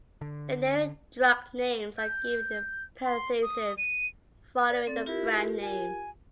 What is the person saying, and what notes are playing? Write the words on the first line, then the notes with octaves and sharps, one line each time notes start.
Generic drug names are given in parentheses following the brand name.
D3
G6
C6
D#6
D#7
D5
C4 A4 D5
E4 F4 G4 A#4
G#5